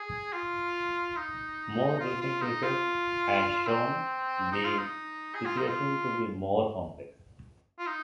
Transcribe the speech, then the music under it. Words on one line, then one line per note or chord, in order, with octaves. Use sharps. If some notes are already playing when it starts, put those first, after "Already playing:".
More recent research has shown the situation to be more complex.
Already playing: G#4
F4
D#4
F4
F4
D#4
F4
C4
D#4
F4
D#4
G#4
F4
D#4
F4
F4
D#4